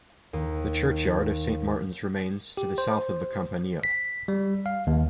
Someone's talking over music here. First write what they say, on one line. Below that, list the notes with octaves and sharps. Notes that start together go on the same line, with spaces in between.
The churchyard of Saint Martin's remains to the south of the campanile.
D#2
G4
C5
B6
G3
F5
D#2